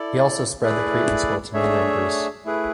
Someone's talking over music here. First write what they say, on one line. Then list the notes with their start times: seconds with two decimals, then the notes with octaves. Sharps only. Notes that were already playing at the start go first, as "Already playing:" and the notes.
He also spread the Cretan School to mainland Greece.
Already playing: E4 A4 D5
0.61 A3 E4 G#4 B4 D5
1.53 A3 D4 G#4 C#5 E5
2.45 A3 E4 G#4 B4